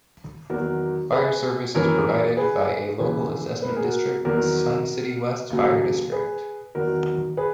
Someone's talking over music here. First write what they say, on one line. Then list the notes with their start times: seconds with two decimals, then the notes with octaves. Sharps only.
Fire service is provided by a local assessment district, Sun City West Fire District.
0.50 E2 D#3 F#3 F#4 A#4
1.12 G#4 B4
1.74 F#2 E3 A#4 C#5
2.37 G#4 B4
3.00 D#2 C#3 E3 G#4 B4
3.62 B4
3.70 A#4
3.76 G#4
3.84 F#4 A#4
4.25 E2 D#3 F#3 F#4 A#4
5.50 D#2 C#3 F#3
6.12 G#4 B4
6.75 E2 D#3 F#3 F#4 A#4
7.37 G#4 B4